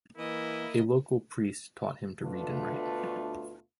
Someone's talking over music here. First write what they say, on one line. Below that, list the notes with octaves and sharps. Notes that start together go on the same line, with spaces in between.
A local priest taught him to read and write.
E3 A#3 E4 D#5
D2 B2 A3 D4 F4 B4